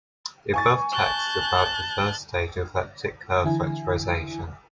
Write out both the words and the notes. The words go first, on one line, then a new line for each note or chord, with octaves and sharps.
The above text is about the first stage of elliptic curve factorisation.
G#5 C#6 A6
A5 F#6 G6
D3 E3 E4 G#5